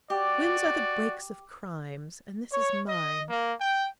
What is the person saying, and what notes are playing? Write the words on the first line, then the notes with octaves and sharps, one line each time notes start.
Whims are the brakes of crimes: and this is mine.
F#4 G4 D5
C#5
D#5
A#3
G5